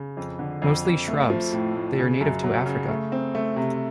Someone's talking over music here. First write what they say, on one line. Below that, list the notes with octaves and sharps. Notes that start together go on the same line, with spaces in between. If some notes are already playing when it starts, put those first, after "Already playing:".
Mostly shrubs, they are native to Africa.
Already playing: C#3
F2
D3
F2
F2
A3
F3
A2
A2
C#3
F#2
F#3
C#3
A3
C4
A3
C3